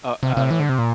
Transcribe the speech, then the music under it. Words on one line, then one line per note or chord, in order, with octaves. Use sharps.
Oh, uh,
C3
C3
E3
D3
C3
A#2